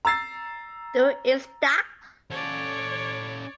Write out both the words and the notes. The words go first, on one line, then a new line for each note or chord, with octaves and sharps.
Du Iz Tak?
A#5 E6 A6 C7
C#4 A4 C#5 D5